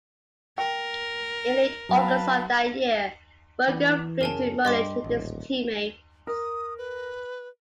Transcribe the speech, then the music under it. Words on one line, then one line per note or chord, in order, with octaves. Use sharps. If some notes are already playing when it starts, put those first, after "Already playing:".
In late August of that year, Berger flew to Munich with his teammates.
A#4 G5
F#3 B4 F5 A5
E3 B3 D5
F#2 C#3 A#4 G#5 A5
G2 G3 G4 D#5 C6 D6
D#1 A1
A#4 D#6
B4